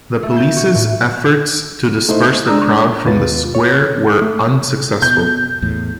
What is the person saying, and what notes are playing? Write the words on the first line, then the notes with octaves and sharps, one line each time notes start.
The police's efforts to disperse the crowd from the Square were unsuccessful.
A3
G6
F#4
A2
A3 D#4 E4 C5
G#3 D4 A#5 D#6 E6
D#2 B2 F4 B4 A6
C#5
A3
B2 G6
E2 A2